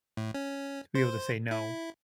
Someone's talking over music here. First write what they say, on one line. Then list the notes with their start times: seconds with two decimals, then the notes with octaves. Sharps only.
to be able to say no,
0.17 A2
0.34 C#4
0.95 C5
1.51 E4